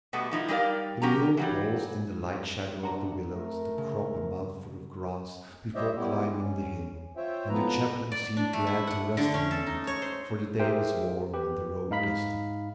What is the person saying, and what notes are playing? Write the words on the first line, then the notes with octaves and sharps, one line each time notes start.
The mule paused in the light shadow of the willows, to crop a mouthful of grass before climbing the hill, and the chaplain seemed glad to rest a moment, for the day was warm and the road dusty.
B2 G3 A3 B3
F3 D#4 E4
G3 D#4 G4 A#4 D5 F5
F#3 C#4 G4 A#4 A#5
E3 F#3 G3
G2 C3 D4 F#5 A#5
A3 A#4
C#3
G3 G4 C5 C#5 D#5 E5
G3 B3 E4 G4
C#4
F4 C5 C#5 E5 G5
F2 F3 B3 B4 A#5
D5
D4
A3
E4
F#5
D3
C#4
A4
D#4
C#5
C5
G4 G#4 A#4 C5 E5 G5
G4 B4
G#2 D#4 F5 B5 B6